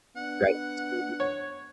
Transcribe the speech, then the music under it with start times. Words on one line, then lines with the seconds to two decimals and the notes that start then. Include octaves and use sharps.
right, tea
0.17 B3 D4 F#5
1.20 C#5